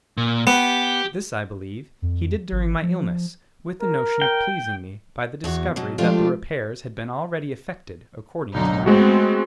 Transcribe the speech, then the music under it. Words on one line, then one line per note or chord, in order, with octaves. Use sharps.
This, I believe, he did during my illness, with the notion of pleasing me by the discovery that the repairs had been already effected according to my mind.
A#2
B3 G4 G5
F2
G#1
F3
A#4
G5
E2 F#4
B2 F#3
F3 G#3 A3 D4 F4 G4
B1 F#2 D3 D#4
G#3 A3 B3 C4 F#4